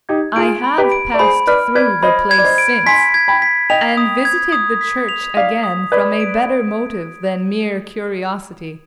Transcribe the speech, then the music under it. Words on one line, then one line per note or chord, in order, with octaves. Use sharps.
I have passed through the place since, and visited the church again from a better motive than mere curiosity.
D#4 G4 G#6
F4 G#4 D7
B5
G4 B4
D7
D5
G#4 C5 B5
B4 D5 F6
B4 D5 G#6
C5 D#5 B5
G#6
D5
C5 D#5
D7
G#5 C6 B6
G#6
G5 B5
B6
D#5 G5 F7
D#6
G#6
D#6
B6
F7
D5 F5 B6
D#6
B4 D5 G#6
D7